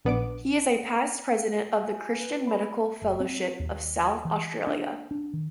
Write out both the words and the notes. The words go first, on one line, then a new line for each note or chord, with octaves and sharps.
He is a past president of the Christian Medical Fellowship of South Australia.
A#1 B3 D4 D6
G#5
B4
B5
F#1
C4
D#2
E3
D4
D4
D#3